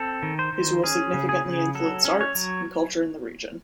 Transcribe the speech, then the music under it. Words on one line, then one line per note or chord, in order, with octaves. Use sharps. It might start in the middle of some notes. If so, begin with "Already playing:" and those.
His rule significantly influenced arts, and culture in the region.
Already playing: C4 A4
D#3
C5
D#3
C#4 G#4
C#3
G#4
C#3
F#3 A4
C#4
C#5
F#3